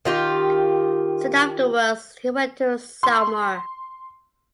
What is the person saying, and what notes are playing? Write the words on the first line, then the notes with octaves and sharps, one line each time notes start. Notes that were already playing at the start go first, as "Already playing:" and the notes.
Soon afterwards he went to Saumur.
D#3 F4 G4
C6